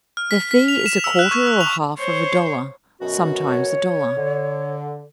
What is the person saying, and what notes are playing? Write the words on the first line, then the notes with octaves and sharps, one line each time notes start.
Their fee is a quarter or half of a dollar. Sometimes a dollar.
F6
B6
B6
F7
E7
E6
F#6
C#6
E6
F7
C5 C#5
F#2 B2 F#4
C#5
D3